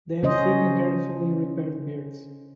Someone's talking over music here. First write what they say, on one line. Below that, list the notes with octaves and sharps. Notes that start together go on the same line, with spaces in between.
They have thick and carefully repaired beards.
C#3 C#4 C5 D#5